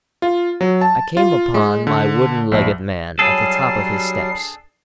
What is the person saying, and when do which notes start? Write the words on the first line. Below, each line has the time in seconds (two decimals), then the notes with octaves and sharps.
I came upon my wooden-legged man at the top of his steps.
0.22 F4
0.61 F#3
0.81 A5
1.17 F4
1.54 G#3
1.87 D3
2.52 A#1
3.19 F#3 G3 D4 G#4 A4 C7